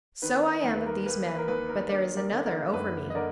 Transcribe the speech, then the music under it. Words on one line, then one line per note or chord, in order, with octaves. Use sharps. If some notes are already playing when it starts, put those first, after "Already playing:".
"So I am of these men; but there is another over me."
D#3 B4
D#2 A#4
B4
A#4
A#3 B4
B4
A#4
D#2 B4
A#4
D4 A#4 D5
A#4 D5
D3
A#4
F#2 B4
D#5
D3 A#4 D5